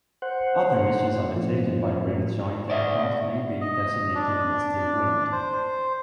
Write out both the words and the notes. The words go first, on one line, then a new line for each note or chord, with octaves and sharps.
Other missions undertaken by Rivet Joint aircraft may be designated Misty Wind.
C5 F#5
A2 F3
D5 E5
D#5
D4
C5